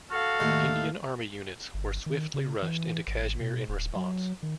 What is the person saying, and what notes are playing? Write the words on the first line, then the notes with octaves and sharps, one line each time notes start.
Indian army units were swiftly rushed into Kashmir in response.
F#4 A4 F5
D#2 A2 C6
G1
D#3
C#3
E3
G#1
B2
D1
F#3
D#3